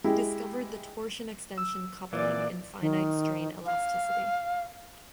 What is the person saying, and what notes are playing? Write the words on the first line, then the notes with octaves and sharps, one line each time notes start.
He discovered the torsion-extension coupling in finite strain elasticity.
G#3 E4 G4
E6
A#2 E3 D5
D#3
F5